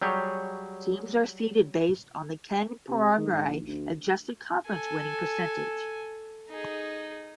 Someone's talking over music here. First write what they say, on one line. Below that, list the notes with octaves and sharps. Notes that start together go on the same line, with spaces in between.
Teams are seeded based on the Ken Pomeroy Adjusted Conference Winning Percentage.
F#3 G3 G4 G#4 C#5
C3
D#3
G#2
A#1
D2
A4 G#5
D#4 G#4